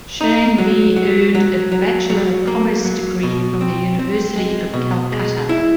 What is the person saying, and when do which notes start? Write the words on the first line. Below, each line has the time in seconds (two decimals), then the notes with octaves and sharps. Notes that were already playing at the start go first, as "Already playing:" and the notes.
Shanghvi earned a Bachelor of Commerce degree from the University of Calcutta.
0.21 D#4
0.58 F#3
0.96 F#3
1.35 F#3
1.72 F#3
2.10 F#3
2.47 A#3
2.85 F#3
3.23 B2
3.61 C4
3.99 C4
4.36 G#3
4.74 B2
5.12 G#3
5.49 E4